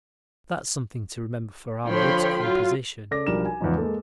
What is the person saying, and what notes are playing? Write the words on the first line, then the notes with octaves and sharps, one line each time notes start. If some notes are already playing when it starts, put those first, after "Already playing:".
That's something to remember for our woods composition.
D3 F3 C#5 G5 B5 C6
F#3 F4
C#3 A4 D5 D6 A#6
B1 F3 G3 D4 A#4 E7
G#5
E2 G#2 C#3 F3 C#4 D#4
G#3 A#3 A4